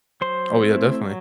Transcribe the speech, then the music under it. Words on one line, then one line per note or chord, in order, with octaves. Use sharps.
Oh yeah, definitely.
F#3 C5 C6
A3 C4 E4
F#3